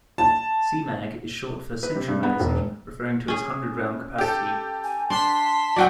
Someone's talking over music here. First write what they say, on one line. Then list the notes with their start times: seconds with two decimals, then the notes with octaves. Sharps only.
"C-Mag" is short for "century magazine", referring to its hundred-round capacity.
0.18 A5
1.83 B4
1.96 C3
2.08 G2
2.23 B3
2.40 E1
3.28 C#4 G#4
4.18 G4 A4
4.84 G#5
5.10 D4 A5 C6 B6
5.76 F#3 C4 C#4 D5 F#5 G5